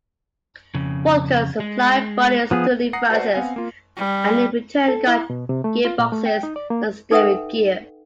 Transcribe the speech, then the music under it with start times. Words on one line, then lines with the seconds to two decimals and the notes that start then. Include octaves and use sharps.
Vulcan supplied bodies to Lea-Francis and in return got gearboxes and steering gear.
0.75 F2 C#3
1.60 G#3
2.51 F3 B3 G#4
2.93 F#5 A#5 D#6 A#6 C7 C#7
3.10 F#4 B4 C5 D5 F#5
3.34 B3 C4 F5 F#5 G#5
3.56 A#3 F4
3.97 G3
4.88 A4
5.07 E4
5.30 B2
5.49 C3
5.64 A3
5.85 F4
5.99 A#2
6.12 A3
6.26 G5
6.43 D#4
6.56 D5
6.70 A#3
7.11 D#4 A4 B4 E5 F#5 G5